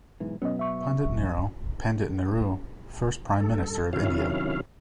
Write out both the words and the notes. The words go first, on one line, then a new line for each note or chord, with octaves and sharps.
Pundit Nero - Pandit Nehru, first Prime Minister of India.
B1 G#2 E3
B2 F#3 B3 C#4 D#5
E5 C#6
A1 F#2
G2 A4
C3 D#3 F#3 C#4 E4 F5